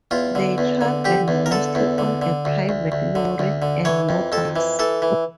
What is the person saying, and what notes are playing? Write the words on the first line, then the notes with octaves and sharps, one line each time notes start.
They travel mostly on a private lorry and no bus.
E2 F4
D3
E2
D3
D3 G4
E2
A#4
D3 A4
E2
D3
D3
D2
D2
D2
D3
D2
D3
E3 C#5
F2
F2 A4
E3
E3 A4
E3